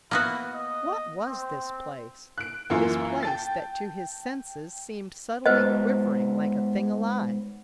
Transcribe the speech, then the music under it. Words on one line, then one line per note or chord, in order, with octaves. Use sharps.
What was this place?--this place that to his senses seemed subtly quivering like a thing alive?
A#3 B3 E4 F#4
D#5
C4
F#6 D7
F#2 E3 A#3 E4 F4
G5 A5 A6
G#2 B3 B4 C5 D#5